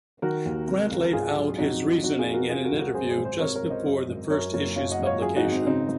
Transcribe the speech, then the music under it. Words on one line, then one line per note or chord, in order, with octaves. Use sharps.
Grant laid out his reasoning in an interview just before the first issue's publication.
D#3 F#4 A#4
D#2
C3
C#2
G#2 F4 G#4
F#3
F2 D#4 F#4
F#3
C3 D#4 F#4
F4 G#4
F2
F#4 A#4
C3 F4 G#4
F#4 A#4
C#2
F#4 A#4
F#2 G#4 C5
G#4 C5
G#1
G#4 C5
C3 A#4 C#5
A#4 C#5
C#2
C5 D#5
F#2
G#1
F#2 A#4 C#5
F#1 A#4 C#5
F#2 C#5 F5
D#5 F#5
G#1
C#5 F5
F#2 F4 G#4
D#4 F#4
G#1
C4
C#3 C4 D#4